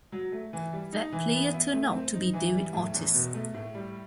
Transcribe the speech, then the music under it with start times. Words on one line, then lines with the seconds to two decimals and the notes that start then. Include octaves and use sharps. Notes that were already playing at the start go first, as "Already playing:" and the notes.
That player turned out to be David Ortiz.
0.12 F#3
0.32 A3
0.53 E3
0.73 G3
0.93 D#4
1.13 E3
1.33 B3
1.54 E4
1.73 A3
1.93 C4
2.14 D#4
2.33 E3
2.54 G3
2.75 A2
2.94 E2
3.14 B2
3.34 A3
3.54 A2
3.75 G3